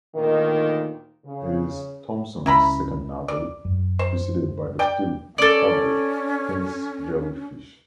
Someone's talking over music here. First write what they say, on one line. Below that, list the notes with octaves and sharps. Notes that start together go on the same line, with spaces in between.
It is Thompson's second novel, preceded by the still-unpublished "Prince Jellyfish".
D2 A#2 D#3
C#3
C#2 C#4 E4 A#5 B5
D5
F#2
C5
D5 G5
C#4 A4 D5